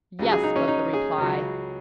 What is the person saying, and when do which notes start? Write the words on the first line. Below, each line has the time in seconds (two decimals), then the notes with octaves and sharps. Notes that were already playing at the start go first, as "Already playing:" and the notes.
"Yes," was the reply.
0.19 C#2 C#3 F#3
0.31 G#4
0.44 D#4
0.56 C#4
0.68 D#4
0.93 G#4
1.18 C#2 C#3 F#3